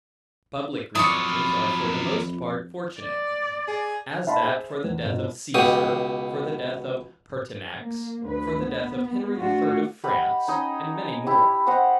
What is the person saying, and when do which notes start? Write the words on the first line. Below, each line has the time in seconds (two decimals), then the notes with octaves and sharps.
Public revenges are for the most part fortunate; as that for the death of Caesar; for the death of Pertinax; for the death of Henry the Third of France; and many more.
0.95 F2 F#3 E4 F4 D5 C#6 D#6
3.00 D5
3.68 G#4
4.27 D#4 F5 F#5 A5 B5 C6
4.43 G#4 C5 E5
4.84 E2
5.04 G1 B2
5.54 C#2 B2 G4 D#6
7.81 A#3
8.24 D2 B4
8.59 B3
9.37 A3 D4 F4 F#4
10.04 G4 D#5 F#5 B5
10.48 C#4 D#4 D#5
11.27 E4 G4
11.67 G4 C5 D#5 F#5